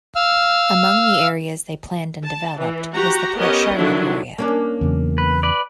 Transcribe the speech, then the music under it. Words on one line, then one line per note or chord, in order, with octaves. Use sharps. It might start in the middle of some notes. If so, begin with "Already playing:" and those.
Among the areas they planned and developed was the Port Charlotte area.
F5 E6 F6
A5
E3
F#4 G4 A#5
B3 C#4 G4 A#4 C#5 D#5
D3 D#3 F3 F#3 D4 E4
A#3 C#4 D4
E2 C#3 F#3
B4
B4 D5